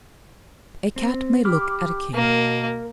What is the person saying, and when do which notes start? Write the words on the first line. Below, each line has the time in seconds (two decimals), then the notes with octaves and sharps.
"A Cat may look at a king."
0.96 C4
1.45 G4 B5 D6 F6
2.14 B2 A#3 A#4